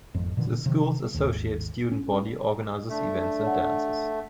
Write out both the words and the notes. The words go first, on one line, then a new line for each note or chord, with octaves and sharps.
The school's Associate Student Body organizes events and dances.
G#1 F2
A#2 D3 E3
C3 D#3 F3
G#1 D#2
C#4
A3 D4
C#5 F#5